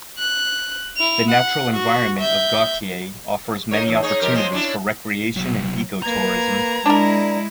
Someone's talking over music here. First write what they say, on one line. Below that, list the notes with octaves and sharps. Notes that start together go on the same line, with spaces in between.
The natural environment of Gautier offers many opportunities for recreation and eco-tourism.
F#6
E4 F7
F#5
F#4
E5 G6
D#4 A#4 C#5
E2 C#3
D#4 G#4 C#5
F2 G4 A#4
F3 G#3 C4
C#4 D4 E4
C2 F#3
A#3 B4 A#5 G#6
G#3 D4 E4 A#4